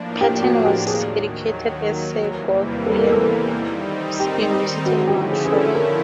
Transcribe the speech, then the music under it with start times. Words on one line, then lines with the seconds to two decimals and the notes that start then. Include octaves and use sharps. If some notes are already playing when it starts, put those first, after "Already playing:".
Patten was educated at Sir George Williams University in Montreal.
Already playing: A2 F3 A#3 D4
0.21 G4
0.43 F#4
0.65 G4
0.87 D#2 D#3 F#3 G#4
2.20 E2 C3 E3 G3 A#3
2.86 A4
2.99 A#4
3.12 A4
3.52 D#3 G3 C4 D#4
4.20 G4
4.53 G4
4.86 D3 F3 A3 C#4 E4 F#4
5.07 G4
5.30 G#4
5.45 G#4
5.52 A4
5.75 A#4